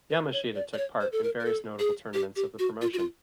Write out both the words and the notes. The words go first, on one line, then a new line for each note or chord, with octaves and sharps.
Yamashita took part in various notable tournaments of the promotion.
B4
C#5
D5
D5
C#5
C5
A4
A#4
A#4
A4
G#4
G4
G4
F#4
F4
F#4
F4